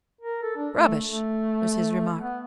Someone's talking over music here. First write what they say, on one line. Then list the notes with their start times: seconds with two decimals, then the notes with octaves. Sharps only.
"Rubbish," was his remark.
0.21 A#4
0.43 A4
0.56 D4
0.76 A3
1.05 A3
2.19 B3